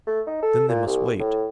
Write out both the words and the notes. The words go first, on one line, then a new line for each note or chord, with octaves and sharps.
Then they must wait.
A3
D#4
A4
A#2
C2
A2